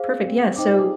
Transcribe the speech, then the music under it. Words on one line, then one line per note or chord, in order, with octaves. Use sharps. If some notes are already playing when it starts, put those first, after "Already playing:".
Perfect, yeah, so,
Already playing: G#4 C5 F5
C4
B3
C4
D#4 C5 G5 D6
F4
G#4